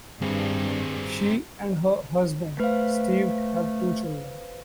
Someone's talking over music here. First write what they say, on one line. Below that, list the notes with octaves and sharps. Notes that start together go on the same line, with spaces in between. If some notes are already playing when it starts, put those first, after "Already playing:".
She and her husband Steve have two children.
G2 C4 G#4
A3 B4 C5 F5